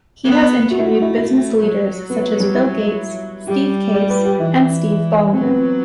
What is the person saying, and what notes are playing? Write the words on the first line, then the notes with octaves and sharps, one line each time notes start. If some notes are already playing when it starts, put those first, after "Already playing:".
He has interviewed business leaders such as Bill Gates, Steve Case, and Steve Ballmer.
B3
A3 F#4
E4
F#4
E4
E4
F#3
B3
G3
E4
G3 G4
D5
B4
G4
E3 E4
F#3 C4
B3
C4